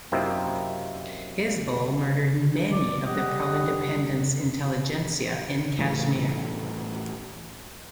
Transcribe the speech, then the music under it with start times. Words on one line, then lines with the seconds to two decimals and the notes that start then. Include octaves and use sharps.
Hizbul murdered many of the pro-independence intelligentsia in Kashmir.
0.12 F#2 C3 A#3 C4 D#4 E4
2.72 D5
3.05 G3 D#5 F#5
5.79 A2 E3 G3